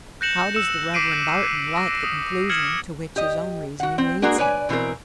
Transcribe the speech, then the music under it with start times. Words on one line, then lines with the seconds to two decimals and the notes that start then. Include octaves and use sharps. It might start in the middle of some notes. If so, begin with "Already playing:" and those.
How does the Reverend Barton like the conclusion to which his own reasoning leads him?
0.21 F#6 G6 A#6 C#7 E7 F#7
0.55 E6 C#7 E7
0.94 D6 B6 C7 D7 D#7
1.73 E6 A#6
2.04 D#6
2.49 F6 G#6 C#7 E7 F#7
3.16 G4 D#5
3.80 F#4 F#5
3.98 C4
4.22 G#3 A#3 D4 F#4 G#4 A#4
4.38 B4 C#5 D5 G#5
4.69 B2 E3 A#3 C4 A#4